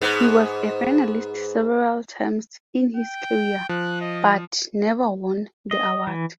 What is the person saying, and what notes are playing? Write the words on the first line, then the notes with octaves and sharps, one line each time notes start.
He was a finalist several times in his career, but never won the award.
G#2 B3
G5
F3 F#6
D#5
D#5
E3